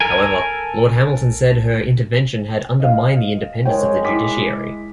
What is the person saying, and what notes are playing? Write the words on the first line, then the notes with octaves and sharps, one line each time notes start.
However Lord Hamilton said her intervention had undermined the independence of the judiciary.
A4 A#4 G#5
D#5 F5
G#3 A#4 C#5 G5
E4 D6 B6